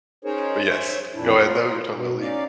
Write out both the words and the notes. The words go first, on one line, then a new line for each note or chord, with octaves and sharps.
but yes, go ahead, though. You're talking about League.
C#4 D#4 G#4 A#4 C5 C#5
C5 C#5 E5
F2 A#2 E3 D4 E4
F4 A#4
B2
C#4 D#4 D5 F5